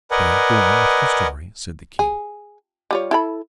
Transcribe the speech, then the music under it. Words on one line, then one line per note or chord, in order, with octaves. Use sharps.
"Pray go on with your story," said the King.
A#4 B4 D5 D#5 F#5 G#5
G#4
G3 F4 C#5
E4 A4 B5